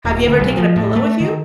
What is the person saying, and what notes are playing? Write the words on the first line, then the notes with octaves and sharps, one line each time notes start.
Have you ever taken a pillow with you?
D#1
D2
B1
F3
A2
A3
D#3